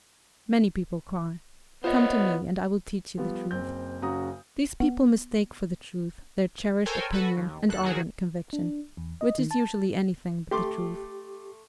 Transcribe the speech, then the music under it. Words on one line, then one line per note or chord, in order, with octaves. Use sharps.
Many people cry, "Come to me, and I will teach you the truth!" These people mistake for the truth their cherished opinion and ardent conviction, which is usually any thing but the truth.
B3 F4 C5 C#5 D#5
F3 G3 B3
F#1 C4 G6
F#1 C#3 F#4 A#5 D#6
B3
A4 A#4 C5 C#5 G5 G#5
F#4 A4 B4
D#2
D#2 A4 F#6
D#3 F#3 F#4 G#4
D4
E2
D#5
D#3
A5
A3 G4 C6 D6